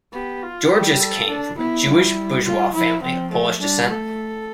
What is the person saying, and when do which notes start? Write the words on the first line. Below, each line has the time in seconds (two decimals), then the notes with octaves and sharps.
Georges came from a Jewish bourgeois family of Polish descent.
0.13 B3 G4
0.43 F4
0.71 G3 G4
1.01 A4
1.29 D4
1.58 B3 E4
1.87 G3
2.45 F4
2.74 F3 E4
3.03 F3 C4
3.31 A3
3.61 G3 D4
3.89 A3 A4